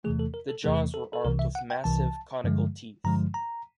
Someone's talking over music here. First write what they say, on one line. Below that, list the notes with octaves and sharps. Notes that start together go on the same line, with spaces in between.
The jaws were armed with massive conical teeth.
E2 C3 E3 A3 G#4
A4
A#4
A4
E2 C3 E3 A3 G#4
A4
A4
C2 C3 E3 A#4
E5
F#5
G5
C2 C3 E3 A5
G2 D3 F3 G#3
G2 D3 F3 G#3 A#5
A#5